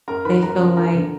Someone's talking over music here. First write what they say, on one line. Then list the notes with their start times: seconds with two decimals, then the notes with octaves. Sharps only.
they feel like
0.08 F#2 A#4 A#5
0.25 D#3 B4 B5
0.43 F#2 A#4 A#5
0.60 C#3 E3
0.77 G2 A#4 A#5
0.94 D3